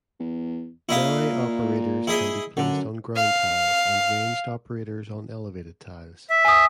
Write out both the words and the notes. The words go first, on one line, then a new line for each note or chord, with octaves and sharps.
Melee operators can be placed on ground tiles and ranged operators on elevated tiles.
E2
A#2 E4 D#5 F5
E4 G#4 D#5
F#2 D3
F5
E5
G#5 D#6